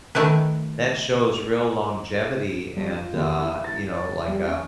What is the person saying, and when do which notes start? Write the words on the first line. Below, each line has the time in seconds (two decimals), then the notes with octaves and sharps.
that shows real longevity and, uh, you know, like, uh,
0.15 D#3 A3 E4 B4
2.76 G2
2.90 F4
3.13 D#2
3.38 E4
3.64 A6
3.90 C#5
4.28 G3
4.47 C#4